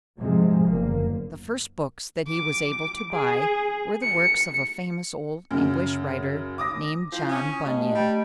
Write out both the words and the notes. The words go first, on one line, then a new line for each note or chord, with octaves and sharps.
The first books that he was able to buy were the works of a famous old English writer, named John Bunyan.
G#2 C3 F3 G#3
F#1 D3 A#3
D6
G#4
C#7
F#2 C#3
D6 D#6 A#6
F3 E4
C#4 D#6
G2 A3 D#5
G3